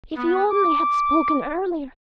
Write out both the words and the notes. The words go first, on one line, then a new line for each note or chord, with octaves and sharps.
If he only had spoken earlier!
B3
D6